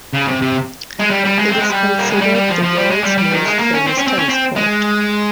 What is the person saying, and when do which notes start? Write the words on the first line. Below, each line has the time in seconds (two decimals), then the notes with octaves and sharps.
It is considered the world's most famous tennis court.
0.13 C#3
0.28 C3
0.42 C3
0.99 G#3
1.10 G3
1.24 G3
1.39 G#3
1.48 C4
1.58 G#3
1.70 G3
1.98 A#3
2.10 G#3
2.21 G3
2.34 G3
2.48 F3
2.63 F3
2.77 G3
2.90 G#3
3.04 G3
3.18 G3
3.31 D#3
3.45 G#3
3.59 A#3
3.73 C#4
3.87 C4
3.98 C#4
4.07 C4
4.18 C#4
4.29 C4
4.56 G#3